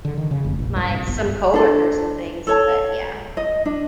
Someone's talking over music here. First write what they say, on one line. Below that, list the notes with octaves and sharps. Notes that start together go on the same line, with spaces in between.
my some coworkers and things, but yeah.
D3
D#3
C#3
F1
A#1
G2
C2
G1
D4 A4 C5
A4 C#5 A5
D#5
D4